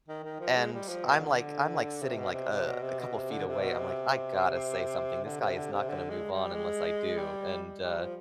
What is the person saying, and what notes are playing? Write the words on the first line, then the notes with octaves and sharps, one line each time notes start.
And I'm like I'm like, sitting, like, uh, a couple feet away. I'm like, "I gotta say something. This guy is not gonna move on unless I do." And, uh,
D#3
D#3
F3
G#3
G3
F3
B2
D3
D3
C3
B2
C3
C3
B2
C3
B2
C3
D3
C3
B2
C3
D3
C3
D3
C3
D3
G#3
G3
G#3
G3
G3
F3